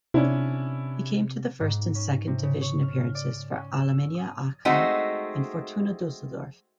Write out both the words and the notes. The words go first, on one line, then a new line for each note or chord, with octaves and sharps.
He came to first and second division appearances for Alemannia Aachen and Fortuna Dusseldorf.
C3 C#4 D4 E4
G#2
C#4
C3
C#3
C#5
F6
D5
C#4
E6
D#6
G#3 A3 C4 D#4 F#4